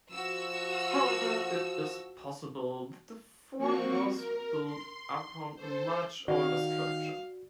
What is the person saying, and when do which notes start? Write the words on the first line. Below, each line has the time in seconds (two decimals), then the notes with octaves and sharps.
However, it is possible that the fort was built upon a much older structure.
0.11 F3 F#4 E6
3.57 F3 A#3 C4 F#4 C#6
4.16 A#4
4.64 C6
5.55 A4 C5
6.28 D#3 F#4 D5 F5